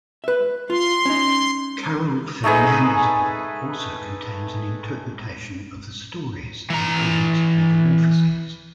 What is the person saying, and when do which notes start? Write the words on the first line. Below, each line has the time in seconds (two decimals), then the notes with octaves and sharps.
Karel van Mander's book also contains an interpretation of the stories in Ovid's "Metamorphoses".
0.24 B4 E5
0.70 F4 C6
1.06 C#4 D#4
2.44 A3 D#4 G#4 B4
6.70 E3 A#5